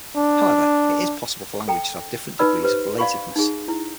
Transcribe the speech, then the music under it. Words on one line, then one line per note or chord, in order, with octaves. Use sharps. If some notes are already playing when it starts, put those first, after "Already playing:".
However, it is possible for languages to have different degrees of relatedness.
D4
A4 G5 A#5
D#4 B4 D5 B5 E6
G4 B4 C5
D5 F5 B5 C#6
D#4 G#4
E4